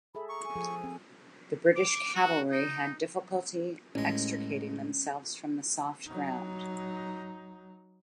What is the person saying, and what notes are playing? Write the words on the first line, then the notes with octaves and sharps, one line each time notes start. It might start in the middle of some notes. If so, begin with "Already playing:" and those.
The British cavalry had difficulty extricating themselves from the soft ground.
G#4 A4 E5 B5
A#5 C#6
G#5
F3 G#4 A4
C4
D6
F#4
D#4
A1 G#3 C#4
F#3 D#4